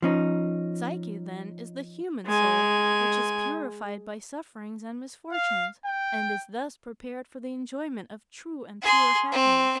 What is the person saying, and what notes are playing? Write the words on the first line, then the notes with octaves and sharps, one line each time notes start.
Psyche, then, is the human soul, which is purified by sufferings and misfortunes, and is thus prepared for the enjoyment of true and pure happiness.
F3 C#4 D#4
G#3 G#5
F5
G5
G#4 C6
C4